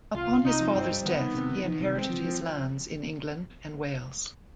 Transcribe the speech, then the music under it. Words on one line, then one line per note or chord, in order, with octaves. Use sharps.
Upon his father's death, he inherited his lands in England and Wales.
C2 F4
C2
C3 D#4
F3
G2 C4
G3
D#3 B3
D#3
C3
D#3
D#3
C3
G#3 C4
F3
F3